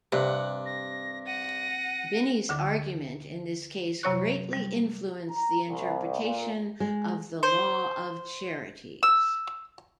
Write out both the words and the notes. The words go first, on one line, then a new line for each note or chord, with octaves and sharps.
Binney's argument in this case greatly influenced the interpretation of the law of charities.
G2 C3 F#5
A#6
F#5 A#6 D#7
D2 D3 D6
F#2 C3 F#3 C#5 C#6 F#6
G3
A#5
C2
A#2
G#3
C5
E6